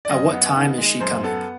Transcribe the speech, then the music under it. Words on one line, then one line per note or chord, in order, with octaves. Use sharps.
At what time is she coming?
D5
F#2 D#5
B3
D#3
G#3
F#2 C5
B3 A4